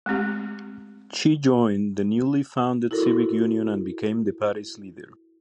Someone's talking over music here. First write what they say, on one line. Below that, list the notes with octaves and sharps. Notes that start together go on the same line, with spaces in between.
She joined the newly founded Civic Union and became the party's leader.
G#3 A3 C4 G4
E4 F#4 A4 A#4